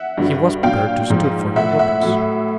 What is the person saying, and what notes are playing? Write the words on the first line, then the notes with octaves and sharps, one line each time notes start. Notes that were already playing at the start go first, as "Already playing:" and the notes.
He was prepared to stoop for his weapons.
Already playing: E5 F#5
G2 D3 F#3
A#2 F#3 F5 G5
G#2 F3
A2 F3 E5 F#5
E5 F#5
A2 F#3